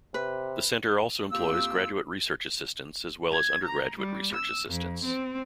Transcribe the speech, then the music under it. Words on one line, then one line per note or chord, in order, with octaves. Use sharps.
The Center also employs graduate research assistants as well as undergraduate research assistants.
C3 B4
F2 A#3 C4 F4 G4 E6
G#6
A#5
G3
E6
F2
C4